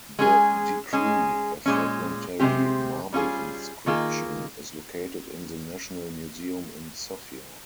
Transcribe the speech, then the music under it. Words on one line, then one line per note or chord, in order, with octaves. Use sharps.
The decree, a fragmentary marble inscription, is located in the National Museum in Sofia.
G#3 C#4 G#4
G#3 C#4 G#4
A#2 G#3 C#4
C3 D#3 G#3 C4 G4
G3 C#4 F4 G#4
D#3 A#3 F4 G#4